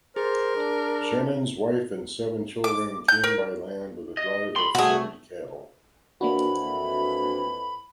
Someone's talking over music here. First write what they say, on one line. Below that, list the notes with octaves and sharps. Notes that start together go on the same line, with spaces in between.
Shannon's wife and seven children came by land with a drive of forty cattle.
G#4 A#4 C5
D4
D6
G6
A#4
D#5
B5 C6
C2 A3 F#4 G#4
F2 E3 A#3 D4 F#4 B5